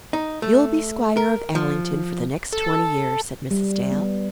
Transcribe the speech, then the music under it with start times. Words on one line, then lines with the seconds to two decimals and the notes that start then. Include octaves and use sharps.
"You'll be squire of Allington for the next twenty years," said Mrs. Dale.
0.13 D#4
0.42 A3
1.17 A#4
1.55 F3
2.53 A4
3.51 G3
3.91 B3